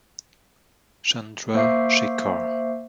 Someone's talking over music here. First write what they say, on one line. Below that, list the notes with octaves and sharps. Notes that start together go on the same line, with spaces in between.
Chandra Shekhar.
A#3 C5 E5 C#6 D6 C7